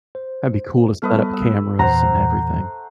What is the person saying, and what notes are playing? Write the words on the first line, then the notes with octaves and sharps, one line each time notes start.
That'd be cool to set up cameras and everything.
C5
G3 A3 B3 B4 D#5 F6
E6
E2 A#2 E3 C5 F#5 A#5